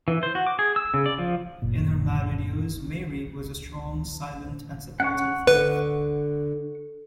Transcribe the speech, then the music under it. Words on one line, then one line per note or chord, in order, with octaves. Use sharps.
In her married years Mary was a strong, silent, and supportive wife.
E3
C5
F#4
D6
G#4
E6
C#3
D5
F3
F#1 A#2
C#4 F#5 C#6
D3 B4